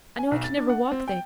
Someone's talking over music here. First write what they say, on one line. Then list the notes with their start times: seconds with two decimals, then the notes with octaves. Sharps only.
I know I can never walk there.
0.19 G#5
0.32 B1
0.44 A6
0.57 D4
0.69 F#5
0.92 C4
1.08 G5